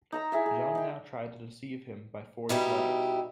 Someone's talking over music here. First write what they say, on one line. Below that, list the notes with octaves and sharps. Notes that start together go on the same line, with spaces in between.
John now tried to deceive him by forged letters.
D#4 A#5 E6
E4 G#4 E5 G#5
G#4
D#4 G5
B2 G3 D#4 E4